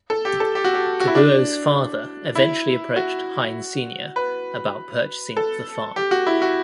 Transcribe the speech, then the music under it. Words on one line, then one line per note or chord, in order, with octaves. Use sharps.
Kabuo's father eventually approached Heine Senior about purchasing of the farm.
A4
G4
A4
G4
F#4
G4
F#4
E4
D4
E4
F#4
B4
A4
G4
F#4
E4
F#4